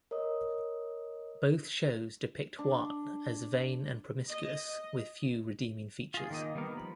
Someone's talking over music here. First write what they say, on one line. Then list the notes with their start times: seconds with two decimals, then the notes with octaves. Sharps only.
Both shows depict Juan as vain and promiscuous, with few redeeming features.
0.11 A#4 C#5 D#5 D#6
2.59 D4
4.29 D#5
6.14 F4 G#4
6.30 D#3 A#3 D#5
6.55 D#3 G3 A#3 B3 A#4
6.77 F3 B5